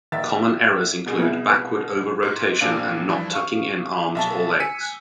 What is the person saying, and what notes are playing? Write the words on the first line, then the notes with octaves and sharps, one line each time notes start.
Common errors include backward over rotation and not tucking in arms or legs.
A#1 D#3 E5 A6
C2 B2 G#4
B3 E4
B4
G#2
G#1 A#2 D4 F5 D7 D#7
G2 E3 F3
F5 C#6
B1 E5 A5
G#5 E6 B6 C#7 D#7